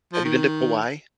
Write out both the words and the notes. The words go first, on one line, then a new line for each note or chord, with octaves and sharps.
Have you been to Kauai?
F3
D#3